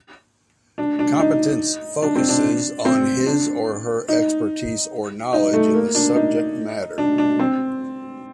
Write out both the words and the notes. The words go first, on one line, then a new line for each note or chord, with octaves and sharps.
Competence focuses on his or her expertise or knowledge in a subject matter.
D4
D4
D#4
D4
C4
D4
C4
D4
D#4
D#4
A3
A#3
D4
D#4
D4
D4
C4